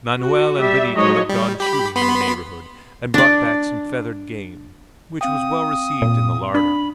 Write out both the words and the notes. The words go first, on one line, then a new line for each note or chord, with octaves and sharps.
Manoel and Benito had gone shooting in the neighborhood, and brought back some feathered game, which was well received in the larder.
F#4
G3 E5
F3 F#3 G#3 D#4 C#5 D#5
G3
G4 B5
B3 B5 C6
D4 D5
C4 F5 G5 D#6
A#2
D4 B5